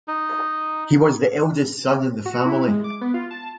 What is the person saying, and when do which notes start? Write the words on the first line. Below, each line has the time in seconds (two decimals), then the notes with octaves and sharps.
He was the eldest son in the family.
0.08 D#4
2.26 F#4
2.45 E4
2.68 G#3
2.84 D6
3.01 B3
3.14 F4
3.31 A5